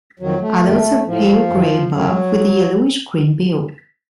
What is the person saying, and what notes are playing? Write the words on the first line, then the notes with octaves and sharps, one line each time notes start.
Adults are pale grey above, with a yellowish-green bill.
F2 D#3 F#3
A3
F#2 D#3
A2 F3
F#2 D#3
F#2 C#3 F#3